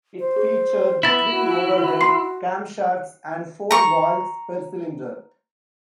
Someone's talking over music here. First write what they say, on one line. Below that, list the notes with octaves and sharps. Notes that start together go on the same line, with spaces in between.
It featured twin overhead camshafts and four valves per cylinder.
C5
G#4
B3 E4 B5 A6 B6
F#4
C6 C7
A#5 C#6